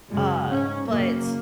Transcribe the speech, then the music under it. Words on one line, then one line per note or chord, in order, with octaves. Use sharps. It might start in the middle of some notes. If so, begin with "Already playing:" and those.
Uh, but
F#2 C#3 G#3
G#2 C#4
F#2 C#3 A#3